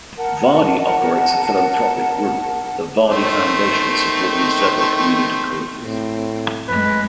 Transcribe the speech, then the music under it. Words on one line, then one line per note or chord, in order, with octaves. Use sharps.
Vardy operates a philanthropic group, The Vardy Foundation, supporting several community causes.
A#4 F#5 A5
D#3 A3 C5
A2 C4
F#2 G#3 B4